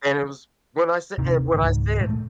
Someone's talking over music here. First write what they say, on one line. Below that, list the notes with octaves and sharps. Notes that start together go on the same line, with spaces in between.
And it was when I sa and when I said
G1 D#2 C3 D#3
C#2 G#2 D#3
A#2 G#3 A3